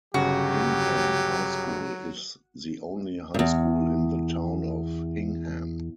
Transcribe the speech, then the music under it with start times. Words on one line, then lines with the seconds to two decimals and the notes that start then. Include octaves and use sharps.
Hingham High School is the only High School in the town of Hingham.
0.14 G1 C#3 F#3 F#4 G4
3.34 E2 G2